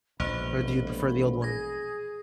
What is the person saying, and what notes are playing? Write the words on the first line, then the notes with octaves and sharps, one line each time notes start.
Or do you prefer the old one?
E1 A#1 A#2 A#3 C5 B5 G7
G#4 G#6 A#6